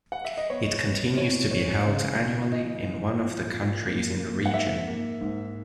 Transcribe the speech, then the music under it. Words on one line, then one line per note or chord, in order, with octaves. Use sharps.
It continues to be held annually in one of the countries in the region.
F#5
E5
D#5
B3 C#5
B3
E3 C#5
G#2 C#5
C#3
E3
E3 D#5
E3
A#2
A#2
A#3
A#3
F#5
G#2 E5
A#3
G#2